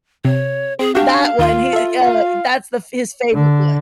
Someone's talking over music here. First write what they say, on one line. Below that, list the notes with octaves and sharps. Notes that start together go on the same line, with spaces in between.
That one, he i i uh, that's the f his favorite one.
C3 C#5
C4 G#4
D4 F#4 G4 F5
D#2 F4 C6
A4 E5
F5
D3